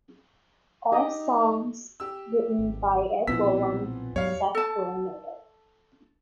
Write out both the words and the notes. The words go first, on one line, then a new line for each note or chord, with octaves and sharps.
All songs written by Ed Roland, except where noted.
D#4 G4 D#5
G4 E6
G#1
B1 A#2 E3 F3 B3 C4 E6 B6
E2 G#2 F#3 G3 C#5 F5
A4 A5